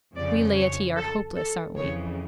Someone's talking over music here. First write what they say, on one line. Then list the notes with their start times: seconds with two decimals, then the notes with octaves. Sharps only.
'We laity are hopeless, aren't we?
0.16 F2 C#3 F3 D5
0.56 C#5
0.96 A4
1.36 A4
1.76 F2 C#3 E3 C#5